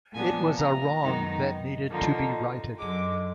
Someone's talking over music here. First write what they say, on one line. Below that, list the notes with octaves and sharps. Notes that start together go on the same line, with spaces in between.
It was a wrong that needed to be righted.
A#2 F3 B3 D4 G#5
A#5
F#2 D#3 G#3 B3 D#4
D3 F3 A#3 D#4
F#2 D3 G#3 D6